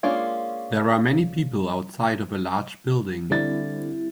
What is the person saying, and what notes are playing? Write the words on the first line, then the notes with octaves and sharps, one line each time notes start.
There are many people outside of a large building.
G#3 A#3 C#4 D4 F4
D3 G3 C4 E4 D5 A6